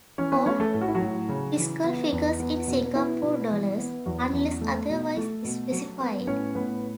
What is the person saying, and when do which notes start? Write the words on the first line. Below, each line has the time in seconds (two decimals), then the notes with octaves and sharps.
All fiscal figures in Singapore dollars unless otherwise specified.
0.18 E3 C#4 C#5
0.32 B3 B4
0.46 A3 C#4 C#5
0.60 A3 A4
0.74 A2 A4
0.81 F#4
0.88 E4
0.95 F#3 F#4
1.02 A2
1.29 C#3
1.57 E3
1.84 B3
2.12 E2
2.40 B3
2.67 B2
2.95 B3 E4
3.22 B2
3.51 E3
3.78 B3
4.06 E2 F#3 F#4
4.33 E2
4.61 A3
4.89 B2
5.17 A3 A4
5.44 B2
5.72 F#3
6.00 B3
6.27 A2 C#4 C#5
6.55 A2 B3 B4